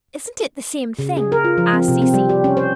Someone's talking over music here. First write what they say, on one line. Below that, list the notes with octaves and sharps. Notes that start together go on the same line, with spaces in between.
"Isn't it the same thing?" asked Cecy.
C#3
G#4
A#4
F4
F3
C4
C3
C4
G3
G4
C#4
C5